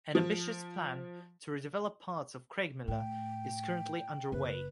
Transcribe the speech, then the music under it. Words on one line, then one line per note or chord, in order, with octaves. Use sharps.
An ambitious plan to re-develop parts of Craigmillar is currently underway.
F3
A2 G5
F#1 B4